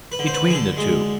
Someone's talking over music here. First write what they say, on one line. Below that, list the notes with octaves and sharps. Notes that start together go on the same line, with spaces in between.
"Between the two."
B4
D3
C5
B4
D3 G#4
A4
G#3